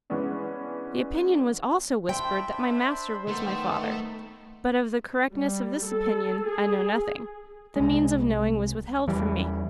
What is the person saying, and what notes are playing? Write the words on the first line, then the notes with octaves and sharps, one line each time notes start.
The opinion was also whispered that my master was my father; but of the correctness of this opinion, I know nothing; the means of knowing was withheld from me.
E3 G#3 B3 C#4 D4 E4
D4 C5 E5 G5 B5
D#3 A3 B3 D#4
G3
A4
G#4
C2 G#3
E2 E3 G3